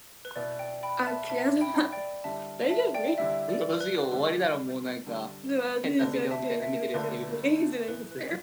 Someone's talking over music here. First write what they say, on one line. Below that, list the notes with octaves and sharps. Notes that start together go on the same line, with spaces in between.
At the advance resumed towards Hessian Trench, which was taken easily.
B4
B2 B3 E4 D5
D5 G5
G5 B5
E5 A5
B2 B3 E4 E5 A5
G5 B5
D5 G5
D3 G3 E4 E5 A5
E5 A5
D5 G5
D3 G3 E4 E5
D5
B4
D3 G3 D4 B4
D3 G3 D4
D2 D3 A3 D4 B4
E5 A5
E5
D2 D3 A3 D4 B4
A2 E3 B3 B4
B4